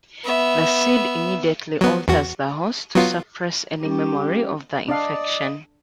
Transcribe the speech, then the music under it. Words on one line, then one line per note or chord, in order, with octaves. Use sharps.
The "seed" immediately alters the host to suppress any memory of the infection.
B3 E5
F#3 B3
E2 F#4
F#3 B3 F4
G3 C#4 G4
D4 D5 D#5 F5